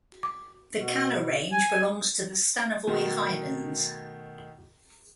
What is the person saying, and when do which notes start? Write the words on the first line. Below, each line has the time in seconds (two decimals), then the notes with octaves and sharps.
The Kalar Range belongs to the Stanovoy Highlands.
0.23 D6
0.77 B2
1.52 G#5
2.87 B2 D#3 A3